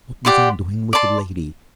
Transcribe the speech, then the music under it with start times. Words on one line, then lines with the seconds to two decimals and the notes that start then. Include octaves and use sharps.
What was I doing with the lady?
0.25 G4 D5 F#5 C6
0.93 D5 A5 C6